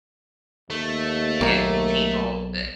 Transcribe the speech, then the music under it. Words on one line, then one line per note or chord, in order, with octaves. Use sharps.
eh, people, eh
D#2 A3
B1 A#3